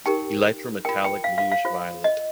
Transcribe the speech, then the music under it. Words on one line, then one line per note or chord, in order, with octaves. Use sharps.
Elytra metallic bluish violet.
D#4 G4 A#4 G5
F4 A#4 G5
G5
F5
F5
F5
F4 C5
D#5